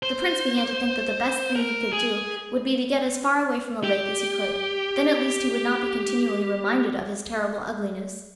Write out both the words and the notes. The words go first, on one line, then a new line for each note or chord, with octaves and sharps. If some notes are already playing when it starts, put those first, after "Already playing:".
The Prince began to think that the best thing he could do would be to get as far away from the lake as he could, then at least he would not be continually reminded of his terrible ugliness.
C5
A#4
G#4
G4